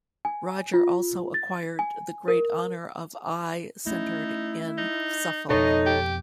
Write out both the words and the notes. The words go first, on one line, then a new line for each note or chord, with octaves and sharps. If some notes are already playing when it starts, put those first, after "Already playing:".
Roger also acquired the great honour of Eye centered in Suffolk.
G#5
F4
A6
G#5
A#4
A3 C#4 D#4 E4
D#4
F2 B2 D#4 A4 C#5 D#5
G4